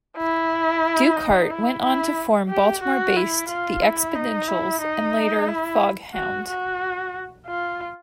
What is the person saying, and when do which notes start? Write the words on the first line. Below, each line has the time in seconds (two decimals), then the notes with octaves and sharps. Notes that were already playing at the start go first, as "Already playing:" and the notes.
Dukehart went on to form Baltimore-based The Expotentials and later Foghound.
0.17 E4
1.17 D#4
1.50 E4
1.83 E4
2.49 G4
2.83 F#4
3.16 E4
3.49 F4
3.82 E4
4.16 D#4
4.48 E4
4.82 D#4
5.48 E4
6.14 F#4
6.47 F#4
7.47 F4